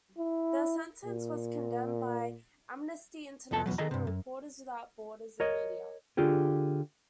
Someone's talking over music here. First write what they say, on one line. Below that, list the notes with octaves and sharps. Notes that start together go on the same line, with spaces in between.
The sentence was condemned by Amnesty International, Reporters without Borders and media.
E4
A#2
C2 F2 B3 A4 A5
E2 G2 B2 F#3
D#3 G#4 A4 D#5 A#5
G2 C3
F#2
A#4 C#5 D#5
D3 F4 G4 G#4